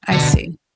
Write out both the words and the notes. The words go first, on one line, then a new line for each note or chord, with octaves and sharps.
I see.
B2 D3